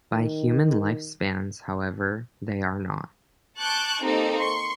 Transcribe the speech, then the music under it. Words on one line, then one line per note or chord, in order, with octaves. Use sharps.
By human lifespans, however, they are not.
D#3
A5 C#6 D6 F#6 G6
A#3 C4 D#4 G4 A4
C6 C#6